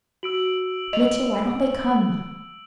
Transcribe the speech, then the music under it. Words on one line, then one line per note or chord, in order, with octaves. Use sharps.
Mitya, why don't they come?
F#4 E6 D7 F#7
D#5 F7